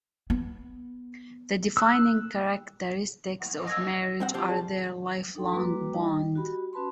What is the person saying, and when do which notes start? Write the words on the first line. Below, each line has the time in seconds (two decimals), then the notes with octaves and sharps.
The defining characteristics of marriage are their lifelong bond.
0.30 B3
1.77 E6 F#6
3.68 E6 G#6 A#6
4.20 G2 C4 F#5
4.34 F3 C4 G4
4.48 G#4 D5 A5
5.35 D4 D#4 A4 G5 C6
5.53 G3 A#3 F#4 B4 A#5 D6
5.93 G3 D#4 D#5 G5
6.35 F#4 G4 B5
6.73 C#4 F#4 B4 A5 B5 C6